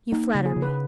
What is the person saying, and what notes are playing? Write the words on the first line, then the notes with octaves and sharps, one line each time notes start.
"You flatter me!"
A#3 D#4
C#3
G#4
C#3
B4